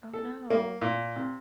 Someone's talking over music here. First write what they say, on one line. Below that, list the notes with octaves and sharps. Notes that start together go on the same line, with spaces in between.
Oh no.
A4
A#3
A#2
C3